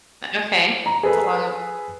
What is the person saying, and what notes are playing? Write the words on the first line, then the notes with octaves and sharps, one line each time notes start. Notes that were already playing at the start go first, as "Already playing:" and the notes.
Eh okay, that's a long
A#5
G#4 A4 B4